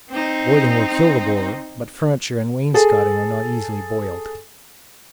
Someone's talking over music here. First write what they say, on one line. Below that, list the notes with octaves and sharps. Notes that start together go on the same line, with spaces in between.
Boiling will kill the borer, but furniture and wainscotings are not easily boiled.
C4 D#4
G#4 A4